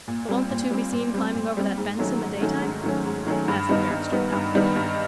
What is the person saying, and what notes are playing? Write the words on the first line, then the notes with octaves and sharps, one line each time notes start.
"But won't the two be seen climbing over that fence in the daytime?" asked the barrister doubtfully.
A#2
G3 C4
A#2
G3 C4
A#2
G3 C4
A#2
G3 C4
G#2
D#3 F#3 A3 C#4
G#2
D#3 F#3 A3 C#4
G#2
D#3 F#3 A3 C#4
G#2
D#3 F#3 A3 C#4
G2
D#3 G3 B3 D#4
G2
D#3 G3 B3 D#4
G2
D#3 G3 B3 D#4
G2